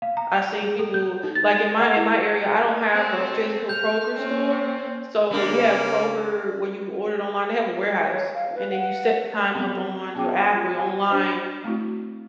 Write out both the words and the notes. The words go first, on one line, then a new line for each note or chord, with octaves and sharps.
I've seen people like, in my in my area, I don't have a physical Kroger store, so, we have Kroger where you order it online they have a warehouse, and then you set the time up on your app or your online
F5
A#5
F7
G#4
A4
G6
D#4
A6
F#5
E4
A3 C4 A4
F6 G6
A#3 C4 C#4
C#3 G3 A#3 D4
C#5
F5
B4
F#5
F#3 B3 C4 G4
B3 C#4 G#4 G5 A5 D6
F4
G4 G#5
D4 C5 D#5
A3 C4 E4 F#4